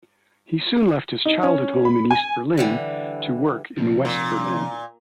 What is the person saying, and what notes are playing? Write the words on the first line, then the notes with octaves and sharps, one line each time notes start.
He soon left his childhood home in East Berlin to work in West Berlin.
D#4
C#4
B5
G#5
D3 E3 G3
C3 F3
A#2